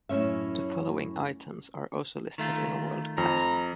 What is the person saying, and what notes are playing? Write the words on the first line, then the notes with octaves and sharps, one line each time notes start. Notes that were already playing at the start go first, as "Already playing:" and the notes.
The following items are also listed in WorldCat.
F#2 A2 C3 C#4 E5
D#3 A3 F4
F2 A#5